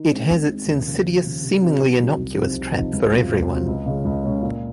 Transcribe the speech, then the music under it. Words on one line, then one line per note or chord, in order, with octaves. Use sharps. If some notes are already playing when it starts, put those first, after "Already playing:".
It has its insidious, seemingly innocuous trap for every one.
Already playing: D#3
G#3 C4
D#3
G#3 C4
D#2
C#3 F3
D#2
C#3 F3
C3
F#3 C4 D#4 F#4
C3
F#3 C4 D#4 F#4
C2
C3 F3 C4 D#4
C2
C3 F3 C4 D#4
C#2
C3 F#3 C4 F4
C#2
C3 F#3 C4 F4
C#2
C#3 G#3 C#4
C#2
C#3 G#3 C#4
A#2